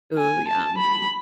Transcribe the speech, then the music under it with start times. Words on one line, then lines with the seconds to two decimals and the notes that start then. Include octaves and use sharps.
Ooh, yum.
0.18 G#5
0.48 A5
0.78 B5